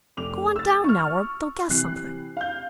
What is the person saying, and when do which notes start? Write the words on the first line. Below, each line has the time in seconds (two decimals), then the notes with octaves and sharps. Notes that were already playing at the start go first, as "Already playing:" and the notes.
Go on down now, or they'll guess something.
0.17 F1 D6 F7
0.56 E6 A6
0.84 C#6 F6
1.69 C3 E3 F#6 C7
2.37 F5 G6